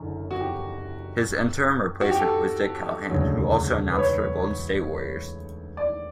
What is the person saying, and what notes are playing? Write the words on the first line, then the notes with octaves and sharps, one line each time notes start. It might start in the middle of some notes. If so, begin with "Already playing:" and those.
His interim replacement was Dick Callahan, who also announced for the Golden State Warriors.
Already playing: F#1 F#2 D3
F#4
G4
F#4
G4
A4
E1 D2 C#3 F#3
B4
C#5
D5